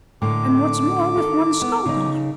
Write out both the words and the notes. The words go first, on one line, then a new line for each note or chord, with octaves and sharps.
And what's more,--with one scull gone.
A2 D3 A#3 D6
D#3 A4
B3
C#3 D#4